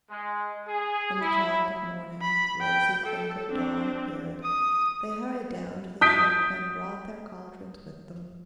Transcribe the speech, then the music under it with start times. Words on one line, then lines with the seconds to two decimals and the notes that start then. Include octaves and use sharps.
When the child of morning, rosy-fingered Dawn, appeared they hurried down to the ship and brought their cauldrons with them.
0.11 G#3
0.68 G#4
1.21 E4
2.22 B5
2.61 G5
3.06 A4
3.50 C4 D4
4.43 D#6
6.01 D#6 G6 B6 D7